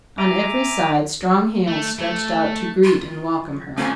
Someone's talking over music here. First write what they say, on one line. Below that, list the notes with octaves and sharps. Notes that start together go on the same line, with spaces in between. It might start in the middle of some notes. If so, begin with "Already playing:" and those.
On every side strong hands stretched out to greet and welcome her.
E5 G#5 A#5 D6
A3
A3
F4
A2 C4 C#4 F4 G#5